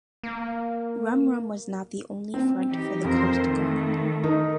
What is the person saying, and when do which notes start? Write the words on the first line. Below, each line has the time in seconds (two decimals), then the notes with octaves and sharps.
Rum Row was not the only front for the Coast Guard.
0.23 A#3
2.34 C4
2.70 E3 D#4 G4
3.04 F2 A#4 C5
3.38 D#3 A3
4.24 D#4 A#4